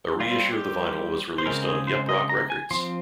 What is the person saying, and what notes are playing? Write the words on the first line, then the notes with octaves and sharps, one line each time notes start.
A reissue of the vinyl was released on Yep Roc records.
G3 C4 F4
G4
C5
C#3 G#3 C4 A#4
G#4
C5
D#5
A#5
G#5
F3 C4 C6